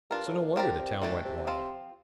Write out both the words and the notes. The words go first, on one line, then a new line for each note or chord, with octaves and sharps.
So no wonder the town went wild!
G2 D4 F4 A#4
A2
A#2
A2 F3 C4 G4 A#4 D5
A#2
C3
D3 E3 A3 D4 G4
C3
F3 C4 F4 C5